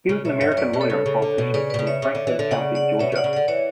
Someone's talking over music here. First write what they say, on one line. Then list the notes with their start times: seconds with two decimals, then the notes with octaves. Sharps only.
He was an American lawyer and politician from Franklin County, Georgia.
0.09 C#3
0.25 B2 C#5 E5
0.41 G2 C#5 E5
0.51 G2
0.57 F#2 B4 D5
0.73 B2 B4
0.81 A4 C#5
0.90 C#3
1.06 C#3
1.22 D3
1.38 B2
1.54 C#3 B4 D5
1.70 B2 B4 D5
1.79 C#3
1.87 C#5 E5
2.02 C#3
2.15 D3
2.27 E3
2.39 D3
2.51 C#3 D5 F#5
2.75 D5 F#5
3.00 B2 C#5 E5
3.12 C#3
3.16 D5 F#5
3.24 C#3
3.33 D3 D5 F#5
3.48 E3 C#5 E5